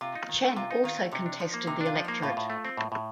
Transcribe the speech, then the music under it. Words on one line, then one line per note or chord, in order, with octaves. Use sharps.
Chen also contested the electorate.
C3 F4
D#4
D#3
A3
C3 F4
D#4
D#3 F4
A3
C3 D#4
D4
F3 D#4
A#3
C3 D#4
D4 F4
F3
A#3 D#4
A2 F4
A2
A3
C4
A2
A2